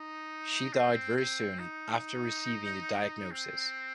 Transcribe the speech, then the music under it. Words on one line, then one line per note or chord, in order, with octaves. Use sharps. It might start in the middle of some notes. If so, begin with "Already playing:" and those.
She died very soon after receiving the diagnosis.
Already playing: D#4
C4
C4
D#4
C4